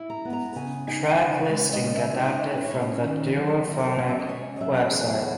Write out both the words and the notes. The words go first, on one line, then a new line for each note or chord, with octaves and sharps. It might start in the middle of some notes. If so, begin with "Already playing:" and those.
Track listing adapted from the Duophonic website.
Already playing: E4
A#5
B3
A#5
C#3 G#5
D#4 G#5
E5
C#3 F#5
C#5
G#3 B4
C#5
D#5
C#3
E5
D#4
D#5
E4 C#5
B4
C#5
C#4
D#3
F#3
E4
G#5
C#4 F#5
E5
D#5
C#4 C#5
D#5
F#3 E5
E2 G#4
F#4